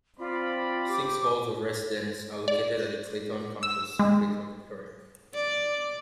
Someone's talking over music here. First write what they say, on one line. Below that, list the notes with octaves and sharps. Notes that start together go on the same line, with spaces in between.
Six halls of residence are located at the Clayton campus in Clayton, Victoria.
C4 F4 C5 D5 B5
G4 D6
D5
E6
G#3
D5